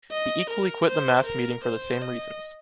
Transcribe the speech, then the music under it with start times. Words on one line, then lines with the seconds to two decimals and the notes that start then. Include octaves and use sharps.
He equally quit the mass meeting for the same reasons.
0.11 D#5
0.50 A#4
0.88 C5
1.26 A#4
1.64 C5
2.02 D#5